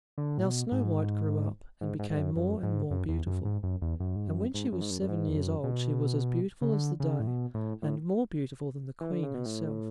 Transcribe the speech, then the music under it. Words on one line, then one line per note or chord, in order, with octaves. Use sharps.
Now Snow-white grew up, and became more and more beautiful; and when she was seven years old she was as beautiful as the day, and more beautiful than the Queen herself.
D3
A2
B2
G#2
G#2
G#2
G#2
F#2
F#2
G#2
F#2
E2
F#2
G#2
F#2
E2
F#2
G#2
F#2
G#2
F#2
G#2
F#2
F#2
G#2
E2
F#2
B2
C#3
D3
C#3
A2
B2
A2
A2
E3
D3
C#3
B2
A2